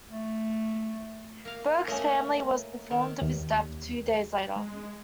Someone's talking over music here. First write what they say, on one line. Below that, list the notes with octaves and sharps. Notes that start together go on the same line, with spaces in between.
Berg's family was informed of his death two days later.
A3
A#3 F5
A3 A#3 C#4 C#5 D#5
D#3
D#2
G#3